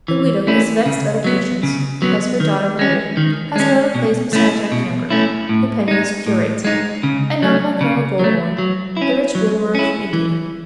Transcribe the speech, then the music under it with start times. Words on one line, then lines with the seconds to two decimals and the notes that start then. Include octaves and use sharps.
The widow is vexed out of patience, because her daughter Maria has got a place beside young Cambric, the penniless curate, and not by Colonel Goldmore, the rich widower from India.
0.08 E3
0.47 A3 C#4 E4
0.86 C#3
1.24 F#3 B3
1.63 C#3
2.02 F#3 B3
2.40 D#3
2.79 G#3 C#4
3.17 D#3
3.56 G#3 C#4
3.95 B2
4.33 A3 C#4 E4
4.72 B2
5.10 A3 C#4 E4
5.49 A2
5.88 G#3 D#4
6.27 A2
6.65 G#3 D#4
7.03 C#3
7.42 F#3 A3
7.81 C#3
8.19 F#3 A3
8.58 F#3
8.97 C#4 E4
9.35 F#3
9.75 C#4 E4
10.13 E3